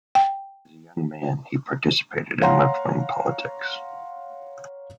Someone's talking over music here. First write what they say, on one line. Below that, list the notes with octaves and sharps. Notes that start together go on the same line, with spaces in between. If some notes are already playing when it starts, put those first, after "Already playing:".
As a young man, he participated in left-wing politics.
G5
C#5 F5 F#5 A#5 C6